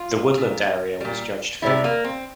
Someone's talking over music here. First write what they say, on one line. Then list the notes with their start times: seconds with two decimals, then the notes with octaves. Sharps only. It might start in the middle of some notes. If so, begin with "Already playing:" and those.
The woodland area was judged favourable.
Already playing: F4
0.37 A#2 G3
1.00 A#2 G3
1.62 C3 G3 E4
1.84 A#3
2.04 C4